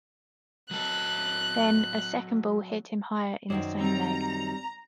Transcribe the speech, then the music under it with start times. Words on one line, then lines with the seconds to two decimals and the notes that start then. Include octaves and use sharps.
Then, a second ball hit him higher in the same leg.
0.71 F#3 A4 F#6
3.50 F#2 D#3 F#3 C5 D5
3.80 G3 C4 A#5